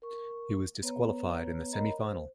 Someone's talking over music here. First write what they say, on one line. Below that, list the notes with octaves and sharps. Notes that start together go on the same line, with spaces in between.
He was disqualified in the semifinal.
A#4 C#6
B3 B4 C#5 A#5
A#4 C#5 D#5 A#5 B5
C5